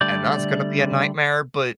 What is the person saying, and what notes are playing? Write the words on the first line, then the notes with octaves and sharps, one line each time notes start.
and that's gonna be a nightmare," but
D3 G3 A3 D5 G6